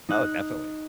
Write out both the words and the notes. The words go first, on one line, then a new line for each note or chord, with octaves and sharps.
Oh, definitely.
D#4 F#6